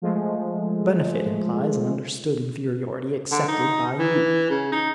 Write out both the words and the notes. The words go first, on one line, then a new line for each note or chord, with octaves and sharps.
A benefit implies an understood inferiority accepted by you.
F3 G#3 A3
D3
D#4
E3
C#3
D#4